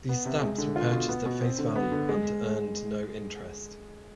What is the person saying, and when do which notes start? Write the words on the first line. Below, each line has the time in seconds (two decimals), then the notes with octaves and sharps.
These stamps were purchased at face value and earned no interest.
0.09 B3
0.26 C3
0.42 G#3
0.58 D3
0.76 F4
0.92 B2
1.09 B3
1.26 B2
1.42 C4
1.59 D3
1.76 B3
1.92 D3
2.09 G#3